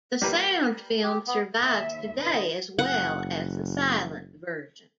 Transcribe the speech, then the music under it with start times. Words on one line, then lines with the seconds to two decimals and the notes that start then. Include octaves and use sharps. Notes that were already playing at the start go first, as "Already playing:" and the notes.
The sound film survives today as well as the silent version.
0.22 G3 A#3 B4
1.04 G4
1.27 B3
1.61 D#2 E5
2.19 D3 B4 D#5
2.79 F#1 F#5